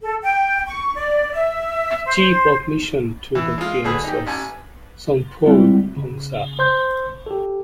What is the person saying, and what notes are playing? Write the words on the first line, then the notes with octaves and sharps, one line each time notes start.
The chief of mission to the games was Somphou Phongsa.
A4
G5
C#6
D5
E5
C5
E3
G#3 F4
D3 F#3 G#4 B4
D#4 G4
A1 G#5
G3 G#3 C4 E4 F4
C#3
C5 C6 G6
G4 A4